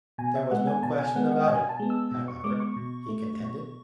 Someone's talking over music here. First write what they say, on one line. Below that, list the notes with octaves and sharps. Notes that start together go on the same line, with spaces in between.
There was no question about it, however, he contended.
B2 G#5
E5
G#3 B3 F#5
G#5
B2 A5
G#5
G#3 B3 F#5
F#5
B2 G#5
A5
G#3 B3
E6
B2
C#6
G#3 B3 D6
C#6
B2
A3
B2